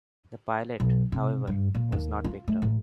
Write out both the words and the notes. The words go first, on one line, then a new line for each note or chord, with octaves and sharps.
The pilot, however, was not picked up.
B1
C3
G2
A#2
D#2
F4
A3
A1